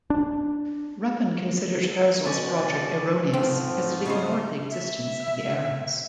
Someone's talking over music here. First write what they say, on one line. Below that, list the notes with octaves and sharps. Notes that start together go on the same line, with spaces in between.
Ruppin considered Herzl's project erroneous because it ignored the existence of the Arabs.
D4
B2 C#4 D5
G#2 F3 A3 C4
C#3 D#4 C5
E5